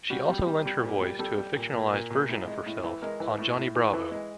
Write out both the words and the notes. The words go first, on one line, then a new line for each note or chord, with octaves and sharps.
She also lent her voice to a fictionalized version of herself on "Johnny Bravo".
G3 F#4
G3
G3
G3
A#2 G4
G3
G3 A4
G3
A#2
A#2
A#2
A#2
A2
G#3
A2
E3
G#3 A#4
E3
A2
A2
E3
E3
G#3